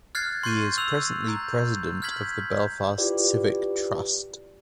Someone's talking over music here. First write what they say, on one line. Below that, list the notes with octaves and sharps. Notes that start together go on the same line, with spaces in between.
He is presently President of the Belfast Civic Trust.
F6 F#6 G#6 A6 C7
C6 C#6 G6 C7 D#7
E6 F#6 F7 F#7
A#5 G6
F6 G6 G#6 B6 F#7
E4 F4 G4 B4 D5